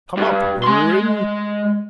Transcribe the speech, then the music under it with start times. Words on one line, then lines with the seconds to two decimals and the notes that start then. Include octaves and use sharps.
Come up, Bruin!
0.17 G2
0.64 G#3 C6